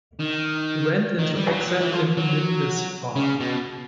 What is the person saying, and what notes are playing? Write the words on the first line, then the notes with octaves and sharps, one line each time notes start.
He went into exile in Lindisfarne.
D#3
D#3
G3
F#3
F3
E3
F3
F#3
C#3
B2